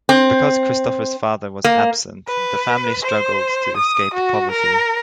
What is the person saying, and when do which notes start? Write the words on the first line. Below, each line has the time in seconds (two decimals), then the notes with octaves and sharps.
Because Christopher's father was absent, the family struggled to escape poverty.
0.09 C4
1.64 A#3
2.28 B4
3.03 C5
3.77 D#6
4.14 F#4
4.52 A#4